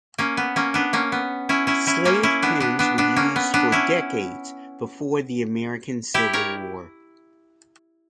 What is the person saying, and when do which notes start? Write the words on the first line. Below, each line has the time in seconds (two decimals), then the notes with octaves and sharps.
Slave pens were used for decades before the American Civil War.
0.18 A#3 C#4
0.37 B3
0.56 A#3 C#4
0.74 B3 D4
0.93 A#3 C#4
1.12 B3
1.49 C#4 E4
1.67 C#4 E4
1.87 C#4 E4
2.05 A#3 C#4
2.23 C#4 E4
2.42 B3 D4
2.60 B3 D4
2.79 B3 D4
2.98 B3 D4
3.16 A#3 C#4
3.36 B3
3.54 B3 D4
3.72 C#4 E4
6.14 E4 G4
6.33 A#4 C#5